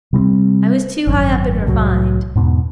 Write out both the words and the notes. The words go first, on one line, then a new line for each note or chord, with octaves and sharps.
I was too high up and refined.
C3 G3 B3 C4
G#1 F#2
C2 A2 E3 F#3
E2 G#2 B2